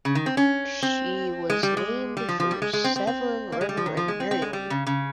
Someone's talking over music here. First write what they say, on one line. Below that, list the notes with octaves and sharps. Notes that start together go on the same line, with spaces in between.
She was named for Severn River in Maryland.
C#3
D#3
C4
C#4
C4
G#3
G3
G#3
G3
F3
F3
G3
G#3
G#3
C4
C4
C4
A#3
G#3
G3
F3
D#3
F3
G#3
C4
C4
G#3
G3
C#3
C#3